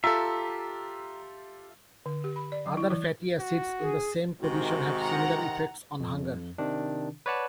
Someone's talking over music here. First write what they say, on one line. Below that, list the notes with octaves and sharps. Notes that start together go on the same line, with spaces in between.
Other fatty acids in the same position have similar effects on hunger.
F4 G4 A4 E5 A#5
D3
G4
B5
D5
F#3
E4
E3
F#4
G#4
G#2 C3 D#3 F#4
F#5 A#5
F2
C3 D#3 D4
B4 C#5 D5 F#5 A5